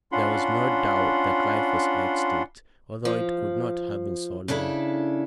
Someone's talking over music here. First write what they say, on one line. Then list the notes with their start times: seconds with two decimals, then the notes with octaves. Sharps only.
There was no doubt that life was extinct, although it could not have been so long.
0.12 C#4 D4 F4 F#5 B5 C6
3.05 F3
4.48 C#3 D4 E4 A4